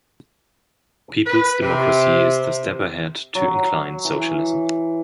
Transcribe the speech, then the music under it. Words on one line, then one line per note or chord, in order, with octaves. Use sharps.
Peoples' Democracy is the step ahead to incline Socialism.
B4
C3
F#3
E3